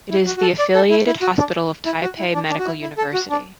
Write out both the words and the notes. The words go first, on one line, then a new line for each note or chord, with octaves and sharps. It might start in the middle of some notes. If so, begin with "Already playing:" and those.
It is the affiliated hospital of Taipei Medical University.
E4
F#4
F#4
A4
D5
A4
E4
E4
F#4
D4
E4
F#4
E4
D4
D4
F#4
E4
E4
A4
F#4
D4